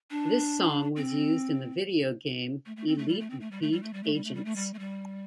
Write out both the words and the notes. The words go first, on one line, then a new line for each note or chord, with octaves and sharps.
This Song was used in the video game Elite Beat Agents.
D4
C4
A3
A3
C4
A3
G3
A3
C4
A3
G3
A3
G3
A3
G3
A3
G3
A3
G3
A3
G3
A3
G3